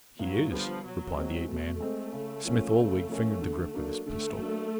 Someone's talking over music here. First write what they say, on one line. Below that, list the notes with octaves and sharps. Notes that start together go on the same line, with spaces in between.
"He is," replied the ape-man. Smith-Oldwick fingered the grip of his pistol.
G2 F#3
D3 F3 G3 B3
B2 F#3
G#3 C4
B2 A3
G#3 C4
C#3
F3 A#3 C#4 F4
C#3
F3 A#3 C#4 F4
D3
F#3 A#3 D4
D3 A3
F#3 A#3 D4